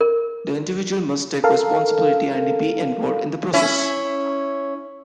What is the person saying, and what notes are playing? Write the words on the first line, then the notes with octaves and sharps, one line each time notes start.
The individual must take responsibility and be involved in the process.
A#4
A4 A#4 F5
C#4 E4